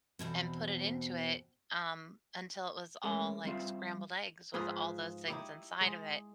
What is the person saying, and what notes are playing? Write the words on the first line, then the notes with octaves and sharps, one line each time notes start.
and put it into it, um, until it was all like scrambled eggs with all those things inside of it.
E2 G#2 B2 C4
G#3 A3 C#4 A#4
G3 C4 F4 E5
G#2 F3 G#4 B4
D#4 E4 G4
G#3